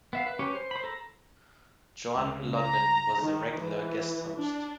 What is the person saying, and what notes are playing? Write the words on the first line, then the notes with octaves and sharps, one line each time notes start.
Joan Lunden was a regular guest host.
B3 E5 F5
B4
C#4 G4 B4 C#5
C5
C5 B5
A4 A#5
C#2
A#5
D#3
E3
D4